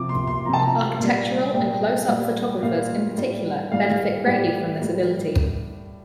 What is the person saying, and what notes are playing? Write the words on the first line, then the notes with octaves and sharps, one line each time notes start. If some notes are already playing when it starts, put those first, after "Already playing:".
Architectural and close-up photographers in particular benefit greatly from this ability.
Already playing: C3 F3 D6
C6
C6
C3 F3 A5 A#5
A#5
A#2 G3
A#2 G3 G5
A#2 G3
A#2 G3 F5
A2 G3
A2 G3 F5
A2 G3 G4
A2 G3